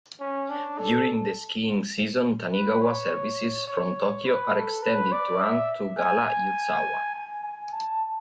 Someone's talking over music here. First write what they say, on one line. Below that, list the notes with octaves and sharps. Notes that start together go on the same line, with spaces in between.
During the skiing season, "Tanigawa" services from Tokyo are extended to run to Gala-Yuzawa.
C#4
D4
A4
B4
C#5
C#5
B4
A4
B4
D5
E5
G#5
G#5
G#5
A5